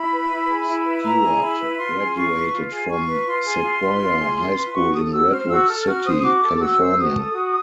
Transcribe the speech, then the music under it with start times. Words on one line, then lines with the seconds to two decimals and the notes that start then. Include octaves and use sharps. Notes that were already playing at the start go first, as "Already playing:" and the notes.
Stuart graduated from Sequoia High School in Redwood City, California.
Already playing: E4 B5
0.12 B4
0.30 E4
0.48 G#4
0.67 E4
0.85 B4
1.04 E4 A#5
1.23 G#4
1.41 E4 B5
1.60 B4
1.78 F4 C6
1.97 G#4
2.15 F4 C#6
2.33 B4
2.53 F4
2.71 G#4
2.89 F4 C#6
3.09 B4
3.26 F4 C6
3.45 G#4
3.64 F4
3.82 B4
4.00 F4
4.19 G#4
4.38 F4
4.56 B4
4.74 F#4 C#6
4.93 A4 D#6
5.12 F#4 E6
5.31 C5 F6
5.49 F#4 E6
5.68 A4 F6
5.86 F#4 F6
6.05 C5 D#6
6.23 F#4 D6
6.42 A4
6.60 F#4 E6
6.79 C5
6.97 F#4 D#6
7.16 A4
7.34 F#4